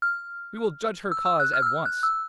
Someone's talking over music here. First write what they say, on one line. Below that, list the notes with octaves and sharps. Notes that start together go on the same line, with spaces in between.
'We will judge her cause at once.'
F6
E6
E6
F#6
F6
E6
F6
F#6
E6